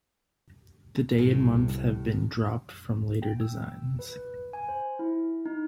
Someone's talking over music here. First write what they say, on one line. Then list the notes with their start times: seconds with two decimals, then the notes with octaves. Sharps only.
The day and month have been dropped from later designs.
1.18 C2 A2
3.22 G5
3.41 E6
3.99 B4
4.53 G#5
4.69 C5
4.99 E4
5.46 D#4